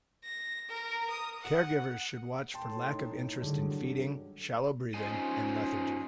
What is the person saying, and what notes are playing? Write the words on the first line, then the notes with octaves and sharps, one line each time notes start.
Caregivers should watch for lack of interest in feeding, shallow breathing, and lethargy.
A#6
A#4
D#6
F#5
A2 G5 A5 C6
D#4
G2 D3 F#3 G#3
C#4 D#4 F4 C5 D#5 G#5